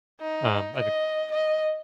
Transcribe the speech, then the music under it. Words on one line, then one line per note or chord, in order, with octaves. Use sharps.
um, I think,
D#4
D#5
D#5